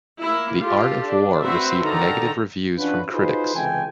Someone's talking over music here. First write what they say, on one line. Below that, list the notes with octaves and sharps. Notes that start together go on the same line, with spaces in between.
"The Art of War" received negative reviews from critics.
A#3 E4
F4 G4 A4
D4
C4 F#4 B4 C5 E5
D3 D#3 A4 A#5
E3 C#4 D4 F4 F#4 B4
D#4 F4 F#4 G#4 B4 C5
C#2 C3 E3 A4 G5 G#5